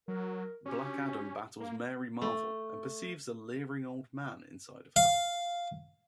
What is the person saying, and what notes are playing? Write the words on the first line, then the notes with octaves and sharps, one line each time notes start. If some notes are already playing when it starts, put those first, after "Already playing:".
Black Adam battles Mary Marvel and perceives a "leering old man" inside of her.
F#3 A#4
C#4 D4 F#4 G4
A#3
A3
F5